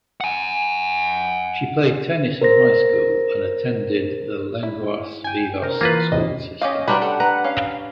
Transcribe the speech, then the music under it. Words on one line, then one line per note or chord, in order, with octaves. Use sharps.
She played tennis in high school and attended the Lenguas Vivas school system.
F#5 G#5
A#4 C5 A#6
E4
G5 G#5
C3 A#4 C5
E3 A#3 F4 B4
E2 A2 C3 D#5
C#4 G4 D#5 F5
G3 D4 F#4 G4 A#4 B4 C6
A4 F#5
B4 A#5
C#4 F5